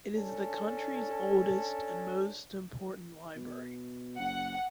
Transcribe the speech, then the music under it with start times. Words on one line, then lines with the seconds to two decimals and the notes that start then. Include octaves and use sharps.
It is the country's oldest and most important library.
0.16 C#4 D4 A4
3.36 B2
4.19 F#1 F#5